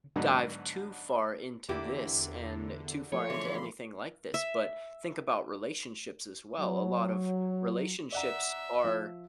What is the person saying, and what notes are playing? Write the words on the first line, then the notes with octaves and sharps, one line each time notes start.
dive too far into this and too far into anything like this but, think about relationships as well. A lot of relationships are
G#2 D3 F#3 B3 D4 D#4
E2 D3 A#3 E4 G4
F3 A3 F4 C#5
D3 E3 G#4 B5 C6
E5
F#3
D5 E5 F#5 A#5
F3